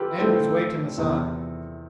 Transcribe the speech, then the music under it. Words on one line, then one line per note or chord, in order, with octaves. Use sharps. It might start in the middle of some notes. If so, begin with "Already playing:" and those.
Andrews waved him aside.
Already playing: F4 G4 A4 B4
A2 E3 A3 C4 A4 C5
E2 C3 E3 B3